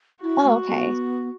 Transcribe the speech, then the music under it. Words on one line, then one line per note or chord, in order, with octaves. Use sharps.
Oh, okay.
E4 F#4
A3
B3